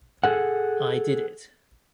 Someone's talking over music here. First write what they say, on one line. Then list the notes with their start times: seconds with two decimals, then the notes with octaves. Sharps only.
I did it.
0.24 G#4 A4 F#5